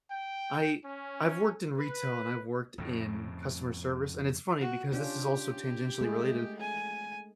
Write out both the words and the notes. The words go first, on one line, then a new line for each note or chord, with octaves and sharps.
I I've worked in retail and I've worked in customer service- and it's funny because this is also tangentially related-
G5
C#4
B4
F2 A2 C#3
F#4
C#4 D4 F4 G4
G#3 A3 G#4
G#5